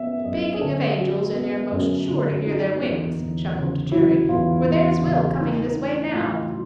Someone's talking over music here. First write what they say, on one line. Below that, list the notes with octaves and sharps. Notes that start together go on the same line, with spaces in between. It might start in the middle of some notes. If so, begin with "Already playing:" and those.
"Speaking of angels, and you're most sure to hear their wings," chuckled Jerry; "for there's Will coming this way now."
Already playing: B3 E5
F#2 D#5
G#4
D3 A4
F#3
B3
F#2
D3
F#3 D#4
E2
E2
C#3
F#3 E4
E2 F4
E2
C#3
A3 D#4
D#4
C#4
A2 F4
F#3